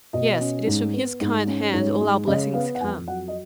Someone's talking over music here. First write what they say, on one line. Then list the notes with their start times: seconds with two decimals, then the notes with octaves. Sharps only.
"Yes, it is from his kind hand all our blessings come."
0.13 B2 D#5
0.40 C#4
0.67 G#2
0.93 B3
1.21 G#2
1.47 C#4
1.73 G#2 C#5
2.01 G#3
2.27 C#3 D#5
2.53 B3 F5
2.75 F#5
2.81 F2 G#5
3.08 F#3 F#5
3.28 D#5